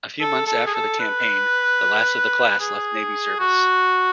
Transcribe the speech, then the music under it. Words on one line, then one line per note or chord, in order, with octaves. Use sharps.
A few months after the campaign, the last of the class left Navy service.
A4
A4
G#4
A4
B4
G#4
F#4